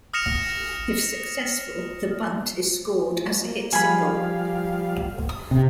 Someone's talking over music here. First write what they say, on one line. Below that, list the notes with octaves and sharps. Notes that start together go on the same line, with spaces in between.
If successful, the bunt is scored as a hit single.
D#6 F6 A#6 C#7 E7 F7
A#3
F3 G3 G#4 F5 B5
D#6
C3